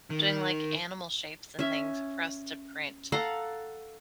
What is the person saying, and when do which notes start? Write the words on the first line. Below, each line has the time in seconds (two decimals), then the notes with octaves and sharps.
doing, like, animal shapes and things for us to print
0.10 D#3
1.59 C#4 E5
3.12 A4 F5 F#5 A#5